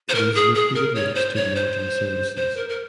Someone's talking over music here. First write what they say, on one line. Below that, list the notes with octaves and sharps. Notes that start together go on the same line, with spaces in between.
It is located next to the Norton Services.
C5
A#4
G#4
G#4
A#4
C#5
C5
C#5
C5
C5
A#4
A#4